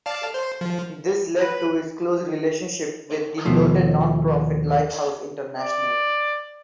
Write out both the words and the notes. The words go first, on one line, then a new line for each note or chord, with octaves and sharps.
This led to his close relationship with the noted non-profit Lighthouse International.
D5 F5 A5
C5
F3
B4
D#2 B2 F3 A3
D5